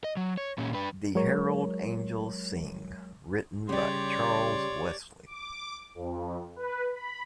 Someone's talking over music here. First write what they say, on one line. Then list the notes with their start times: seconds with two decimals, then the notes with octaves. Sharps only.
The Herald Angels Sing written by Charles Wesley.
0.04 D#5
0.17 F#3
0.37 C#5
0.58 A#2 C#4
0.73 D4 B4
1.15 F#3 G#3 A#4 C#5
3.69 C#3 G3 G4 C#5 D5 C6
5.26 D6
5.95 F2
6.56 B4
6.92 B5